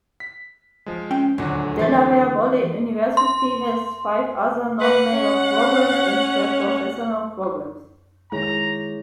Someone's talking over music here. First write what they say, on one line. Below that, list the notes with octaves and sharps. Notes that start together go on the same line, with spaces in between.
Delaware Valley University has five other non-major programs and pre-professional programs.
B6
F3 G#3
C#4 G5
D#1 D2 D3 F#3 F#4
E3 C5 A6
C6
B4 F#5
C#4
D#3 G#3 E4 G#4 C#5 A#5